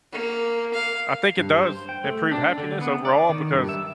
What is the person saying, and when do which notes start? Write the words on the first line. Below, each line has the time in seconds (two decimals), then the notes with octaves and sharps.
I think it does improve happiness overall because
0.12 A#3
0.73 F5
1.37 G2
1.63 C5
1.89 G5
2.04 A3
2.31 D4
2.58 D3
2.81 B3
3.05 D5
3.29 D#3
3.53 G2
3.69 E5